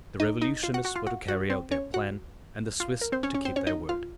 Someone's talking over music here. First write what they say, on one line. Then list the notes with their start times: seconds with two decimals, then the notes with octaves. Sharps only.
The revolutionists were to carry out their plan, and the Swiss to keep their word.
0.20 D#4 D#5
0.41 D#4 D#5
0.63 F4 F5
0.74 F#4 F#5
0.85 F#4 F#5
0.95 F4 F5
1.07 F#4 F#5
1.28 F#4 F#5
1.50 C4 C5
1.71 C#4 C#5
1.94 F#4 F#5
2.80 F4 F5
3.01 A#4
3.12 C4 C5
3.23 C#4 C#5
3.34 C#4 C#5
3.45 C4 C5
3.56 C#4 C#5
3.67 D#4 D#5
3.89 F4 F5